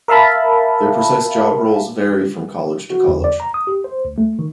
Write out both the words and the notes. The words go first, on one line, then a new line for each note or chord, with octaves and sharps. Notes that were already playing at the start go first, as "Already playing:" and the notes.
Their precise job roles vary from college to college.
A#4 E5 F5 A5 B5
F#4
E2
D5
A#5
D#6
G4
C5
D2
A3
D#3